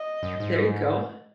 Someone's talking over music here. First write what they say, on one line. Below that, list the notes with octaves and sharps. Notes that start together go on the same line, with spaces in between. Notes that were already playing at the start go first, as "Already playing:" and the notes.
There you go.
Already playing: D#5
F#2
G#2